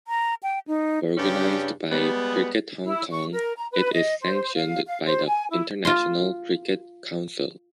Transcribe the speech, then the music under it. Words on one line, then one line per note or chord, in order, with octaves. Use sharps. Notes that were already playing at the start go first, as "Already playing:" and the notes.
Organised by Cricket Hong Kong, it is sanctioned by the International Cricket Council.
A#5
G5
D#4
G2 C#3 C#4 D4 G4
G3 G#3 B3
E4
C#6
A#4
A#5
B4
D#5
C5
F5
F5
C5
G#5
E4
F4 C6